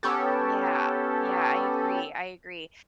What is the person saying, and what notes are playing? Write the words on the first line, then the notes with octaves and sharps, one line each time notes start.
Yeah, yeah. I agree, I agree.
B3 C#4 G4 A4